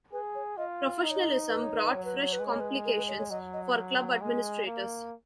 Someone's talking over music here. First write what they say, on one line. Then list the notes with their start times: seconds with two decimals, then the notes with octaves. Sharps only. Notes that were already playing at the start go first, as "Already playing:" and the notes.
Professionalism brought fresh complications for club administrators.
0.12 G#4 B4
0.35 C#5
0.57 F4 D#5
1.03 D#4 D#5
1.11 C#5
1.17 D#5
1.48 B4
1.62 C#5
1.77 B4
1.90 F#3 C#5
2.05 B4
2.18 C#5
2.33 B4
2.40 G#3
2.46 C#5
2.60 B4
2.85 A#4
2.97 B4
3.08 C#5
3.19 C#5
3.30 F#3 D#5
3.53 D#5
4.21 G#3
4.66 A#3